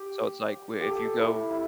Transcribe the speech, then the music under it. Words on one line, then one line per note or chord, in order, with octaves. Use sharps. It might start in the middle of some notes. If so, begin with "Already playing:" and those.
So, it's like, we if you go
Already playing: G4
G4
A4
E4
E4